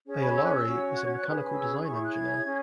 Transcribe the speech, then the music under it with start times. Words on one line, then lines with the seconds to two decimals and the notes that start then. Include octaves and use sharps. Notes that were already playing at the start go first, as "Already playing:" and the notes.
Aolari is a mechanical design engineer.
0.07 C#4 G#4 C#5
0.22 B5
0.37 E6
0.46 F#6
0.54 E6
0.66 C#4 F#4 C#5
0.96 F#6
1.06 G#6
1.16 F#6
1.25 C#4 G#4 B4
1.54 E6
1.84 E4 G#4 C#5 C#6
1.95 C#6
2.05 F#6
2.14 G#6
2.44 C#4 G#4